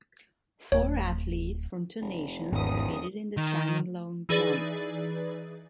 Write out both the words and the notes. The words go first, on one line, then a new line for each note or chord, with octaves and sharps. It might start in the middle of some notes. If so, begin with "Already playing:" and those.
Four athletes from two nations competed in the standing long jump.
D1 C#5
F1
D1 G#1 E2 D#6
D#3
E3 D#4 G#4 B4 D5 A6